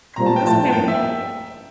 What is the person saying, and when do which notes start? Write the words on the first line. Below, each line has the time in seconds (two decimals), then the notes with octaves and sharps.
"This can't be happening."
0.16 A#2 G3 C4 F4 A#5
0.26 A5
0.36 G5
0.45 A2 F3 A3 E4 A5
0.73 G2 F3 A#3 G5
0.88 E5